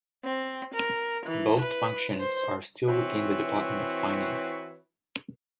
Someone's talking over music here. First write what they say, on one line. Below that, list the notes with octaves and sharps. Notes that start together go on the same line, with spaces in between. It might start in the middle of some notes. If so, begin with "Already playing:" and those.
Both functions are still within the Department of Finance.
C4
A#4
E3
B4
C5
E3 C4 F#4 B4 C#5 E5